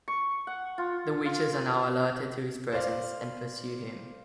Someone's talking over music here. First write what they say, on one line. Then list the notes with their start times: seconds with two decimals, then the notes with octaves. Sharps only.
The witches are now alerted to his presence and pursue him.
0.08 C#6
0.47 F#5
0.78 F4
1.25 F4
2.72 C5 D5 F5